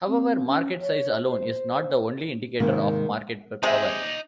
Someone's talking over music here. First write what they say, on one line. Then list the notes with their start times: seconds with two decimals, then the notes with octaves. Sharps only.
However, market size alone is not the only indicator of market power.
0.08 C4
0.47 C#4
0.80 C#5
1.26 C5
2.60 G#2 C3 D#3 G#3 A#3
3.63 C3 G#3 D#4 G#4 C5 D5 E5